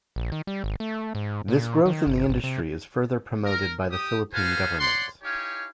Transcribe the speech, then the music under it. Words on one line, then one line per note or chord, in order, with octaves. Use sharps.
This growth in the industry is further promoted by the Philippine government.
A#1
D#3
G3
G#1
A3
G#2
A#2
D#3
G1
G#1
C3
A#4
G4 D#6
F#4 A4 B4 C5 F5 G#5
C#5 D5 F#5 C6
D#4 E4 G4 C#5 F5 G#5